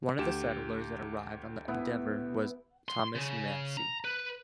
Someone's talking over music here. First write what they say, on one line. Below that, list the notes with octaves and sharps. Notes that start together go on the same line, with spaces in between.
One of the settlers that arrived on the "Endeavor" was Thomas Massey.
D2 G4 E7
B3 E4
C6
C#3
A#5
B4